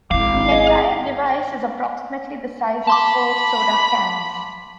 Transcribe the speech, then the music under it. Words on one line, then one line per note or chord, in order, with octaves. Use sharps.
The entire device is approximately the size of four soda cans.
G#1 E4 F5 D6
G#4 D#5
A5 B5 C6 D6